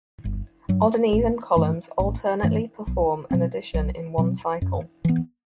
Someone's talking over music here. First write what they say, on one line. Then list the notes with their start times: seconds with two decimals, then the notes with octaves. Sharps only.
Odd and even columns alternately perform an addition in one cycle.
0.25 G1
0.69 G2 F#3
1.13 A1
1.56 G2 E3 A3
2.00 A1
2.43 G2 E3 A3
2.87 B1
3.31 B2 F#3 C4
3.74 B1
4.18 B2 F#3 C4
4.62 F#2
5.05 E3 B3